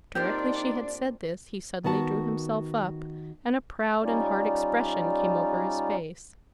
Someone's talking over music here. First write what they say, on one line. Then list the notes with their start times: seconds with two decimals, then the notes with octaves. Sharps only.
But directly she had said this he suddenly drew himself up, and a proud and hard expression came over his face.
0.15 A#3 C4 D4 D#4 F4 G4 D5
1.84 D#3 B3 F#4 A5
4.04 G3 C#4 D#4 F4 D5